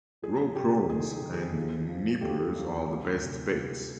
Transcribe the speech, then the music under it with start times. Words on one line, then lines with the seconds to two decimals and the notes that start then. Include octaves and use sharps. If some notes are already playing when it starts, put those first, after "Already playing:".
Raw prawns and nippers are the best baits.
0.22 F#3 G#4
0.56 C3 G4
0.77 A4
0.89 D#3 G#4
1.11 G#4
1.22 D#3
1.34 G#4
1.56 F3
1.89 F3
2.21 D#2 G4 A4
2.56 D#2
2.89 D2
3.22 C3